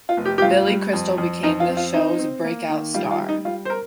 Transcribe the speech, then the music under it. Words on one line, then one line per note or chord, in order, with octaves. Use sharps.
Billy Crystal became the show's break-out star.
F4
F1
G4
G4
G2 F4
G3
F2
F2
F2 D#4
F4
C4
F4
C4 D#4
C4
A#3
D#3
G3 F4
F4
G3
D#4
G3 F4
C5
A#4